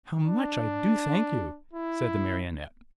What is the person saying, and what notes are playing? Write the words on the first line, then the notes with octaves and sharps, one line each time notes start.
"How much I do thank you!" said the Marionette.
D4
E4